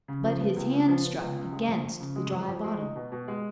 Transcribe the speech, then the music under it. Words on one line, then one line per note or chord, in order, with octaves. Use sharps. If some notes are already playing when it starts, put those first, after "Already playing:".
But his hand struck against the dry bottom.
C#3
F3
B3
C#2
C#3
F3
B3
C#2
C#3
G#3
F2
F2
C#3
G#3
F2
F2
G#3
D#4
B2
B2
G#3